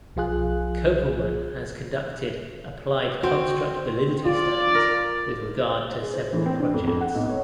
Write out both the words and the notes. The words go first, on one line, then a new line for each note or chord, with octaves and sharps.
Kopelman has conducted applied construct validity studies with regard to several projects.
B1 F3 F4 G#4 F#6
C4 F#4
F4 D5
A#4
G#4
C5
E3
C4
D4
F2
F2
F#5
B1
C#5